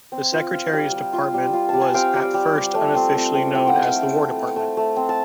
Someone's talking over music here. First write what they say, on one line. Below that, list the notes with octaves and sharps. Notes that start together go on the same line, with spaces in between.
The Secretary's department was at first unofficially known as the War Department.
C4
F4
F4
G3
G3
F4
G3
F4
G3 A5
G#5
C4 F5 G5
G3
G3
G3
A3
C4
C4
C4
E4 G5
F#5
C4 F5 G5
A3
A3
A3
A3
A3
C4
A5